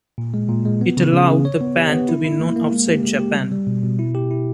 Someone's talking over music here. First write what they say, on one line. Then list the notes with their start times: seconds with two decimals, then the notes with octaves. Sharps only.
It allowed the band to be known outside Japan.
0.18 A#2
0.34 G#3
0.49 A#2
0.66 G#3
0.81 B3
0.97 C#3
1.13 C#3
1.29 C#3
1.45 C#5
1.61 B3
1.77 G4
1.92 B3
2.09 E4
2.24 E4
2.40 A#3
2.56 A#3
2.72 G#3
2.87 G4
3.03 G#3
3.19 G4
3.35 G3
3.52 G3
3.67 B2
3.83 B2
3.99 E4
4.15 G4
4.31 E4